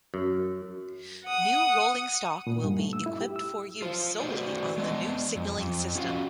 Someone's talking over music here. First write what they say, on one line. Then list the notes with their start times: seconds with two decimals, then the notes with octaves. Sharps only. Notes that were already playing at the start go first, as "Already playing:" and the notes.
New rolling stock will be equipped for use solely on the new signalling system.
0.14 F#2
1.25 F#5 D#6
2.47 A#2
2.64 G2
2.79 A3
2.93 E6
3.06 E4
3.21 G4
3.36 E6
3.82 F4 C5
4.20 A3 F#4 B4 C5 D5
4.78 G#3 B3 D4 B4 D#5
5.36 F2
5.58 F2
5.95 C#4 F4 F#4 B4 F5